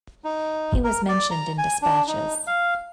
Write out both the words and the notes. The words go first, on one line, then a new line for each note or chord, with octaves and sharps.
He was mentioned in despatches.
D#4
A#4
D5
A#5
G#5
D4
D#4
F5